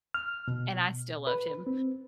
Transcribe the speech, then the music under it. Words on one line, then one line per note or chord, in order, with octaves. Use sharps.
and I still loved him,
F6
B2
B4
C4